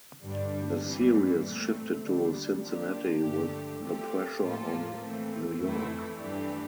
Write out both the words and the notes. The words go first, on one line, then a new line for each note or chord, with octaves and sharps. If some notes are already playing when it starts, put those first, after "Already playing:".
The series shifted to Cincinnati with the pressure on New York.
G2 D3 G3 D4
G2 E3 G3 C4
A#2 A3 C4
D3 G3 D4
F3 A#3 D4 G4
G2 D3 A3 D4 G4
F3 A3 C4 G4
A2 F3 A#3 F4 A4
E3 A3 C4
F2 E3 A3 C4 E4
G2 E3 A3 D4 G4